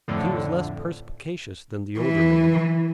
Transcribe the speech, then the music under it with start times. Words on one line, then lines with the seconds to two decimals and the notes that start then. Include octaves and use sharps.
But he was less perspicacious than the older man.
0.08 F2 A2 D3
1.99 E3